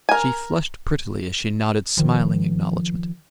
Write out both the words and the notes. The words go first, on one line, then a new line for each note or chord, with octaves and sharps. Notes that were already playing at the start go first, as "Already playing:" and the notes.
She flushed prettily as she nodded smiling acknowledgement.
A#4 G#5
D#3 F3